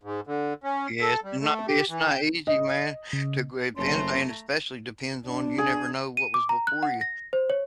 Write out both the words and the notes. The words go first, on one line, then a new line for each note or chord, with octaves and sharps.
Yes, to not be it's not easy, man, to great bends and especially depends on you never know what was before you,
G#2
D3
C#4
A4
G3
A3
G4
E3
G5
D#5
C#3
F#1 A3 C#4 A#5 C6
D4
G#4
D#7
D6
A#5
F#6
F#5
A#6
C5
C#5